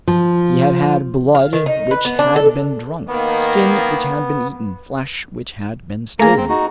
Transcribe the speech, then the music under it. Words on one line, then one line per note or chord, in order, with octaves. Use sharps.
He had had blood which had been drunk, skin which had been eaten, flesh which had been stolen.
F3
F5
D#3
D#4
B4
B3
D4
A4
D#3 A#3 B3
A3 A#3 G#4 A#5
C4
D#4 F#4